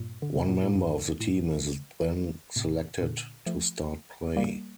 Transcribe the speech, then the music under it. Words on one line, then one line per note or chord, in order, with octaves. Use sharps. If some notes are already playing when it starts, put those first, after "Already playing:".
One member of the team is then selected to start play.
Already playing: G2 A#2
D3
C3
A#2
A2
G2
A2
A2 C3
A#2 D3
F3 A3
G3 A#3